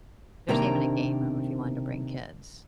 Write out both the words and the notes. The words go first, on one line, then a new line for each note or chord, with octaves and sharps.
there's even a game room if you wanted to bring kids.
C3 D#3 A#3 D4 G5 A#5